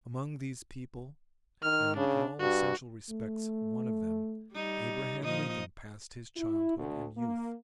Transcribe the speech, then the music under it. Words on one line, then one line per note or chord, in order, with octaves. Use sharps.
Among these people, and in all essential respects one of them, Abraham Lincoln passed his childhood and youth.
D#3 F6
C#3 D4
G2 F#4
A3
G3 D#4
A#2 F3 D#4 D#5
E4
D2
A#3